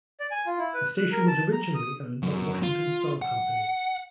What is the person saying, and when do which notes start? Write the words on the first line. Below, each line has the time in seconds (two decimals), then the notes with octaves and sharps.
The station was originally owned by the Washington Star Company.
0.20 D5
0.31 G#5
0.46 F4
0.58 E4
0.74 B4
0.97 F#6
1.12 A#4
1.27 A5
1.52 A#5
1.74 D#6
2.23 F#2
2.63 F4
3.22 F#5